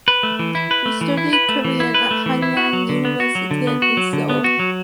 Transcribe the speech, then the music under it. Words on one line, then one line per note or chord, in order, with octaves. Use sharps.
She studied Korean at Hanyang University in Seoul.
B4
A3
E3
E4
B4
A3
E3
E4
B4
A3
E3
E4
B4
A3
E3
E4
F#4
F#3
D3
B3
F#4
F#3
D3
B3
F#4
F#3
D3
B3
F#4
F#3